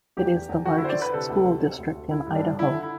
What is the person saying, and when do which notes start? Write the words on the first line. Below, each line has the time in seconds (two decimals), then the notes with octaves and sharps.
It is the largest school district in Idaho.
0.17 E2 G4
0.34 E2
0.49 E2
0.65 D3 F#4
0.78 E4
0.82 D3 C5
0.89 D5
0.98 D3 B4
1.14 C3 A4
1.29 D2
1.46 C3
1.62 C3
1.78 D2
1.95 D2
2.11 D3 E4
2.27 G2
2.35 D4
2.43 D3
2.59 D3 E4
2.74 D3
2.83 E4